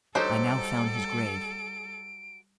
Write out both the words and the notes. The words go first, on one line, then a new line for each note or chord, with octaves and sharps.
I now found his grave.
F#3 G3 D#4 G4 A4 C5 D7